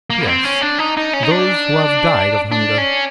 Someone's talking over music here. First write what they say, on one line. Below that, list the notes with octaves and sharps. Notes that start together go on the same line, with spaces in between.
"Yes; those who have died of hunger."
A#3
B3
C4
C#4
D4
D#4
D#4
C#4
D#4
D4
D4
C#4